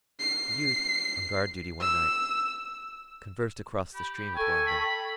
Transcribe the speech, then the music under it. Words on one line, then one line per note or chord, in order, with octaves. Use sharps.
The youth, on guard duty one night, conversed across the stream with one of them.
C7
E6
G4 B5
A4 G5 G#5 C#6
B5